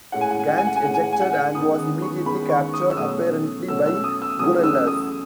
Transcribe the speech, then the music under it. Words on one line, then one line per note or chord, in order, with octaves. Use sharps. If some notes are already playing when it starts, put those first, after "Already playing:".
Gant ejected and was immediately captured, apparently by guerrillas.
A2 G#3 C#4 F#5
G#5
F#5
G#5
F#5
G#5
F#5
G#5
A2 G#3 C#4 F#5
G#5
F#5
G#5
F#5
F#2 D#3 G#3 B3 D#6
D#6
C#6
F#2 D#3 G#3 B3 B5
C#6
D#6
E6
B2 F#3 A3 C#4 D#6
B2 F#3 A3 C#4 E6
E6
D#6
E6
E2 C#3 F#3 A3 C#4 D#6
E6
D#6